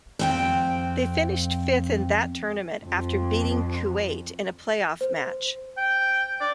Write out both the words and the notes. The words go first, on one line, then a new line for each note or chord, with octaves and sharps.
They finished fifth in that tournament after beating Kuwait in a play-off match.
F2 C4 G5
F2
C5
G5
D5